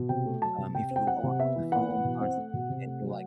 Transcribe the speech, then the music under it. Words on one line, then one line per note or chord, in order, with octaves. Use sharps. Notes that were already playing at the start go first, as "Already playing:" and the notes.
um, if you are on the phone constantly and you're, like,
Already playing: B2
C3 G5
A3
F#3 A5
C3
C3 G5
C4
G5
F#3 F#5
C3
B3 E5
E3
B3 F#5
E3
B2
C4
A3
B2
C3
A3
F#3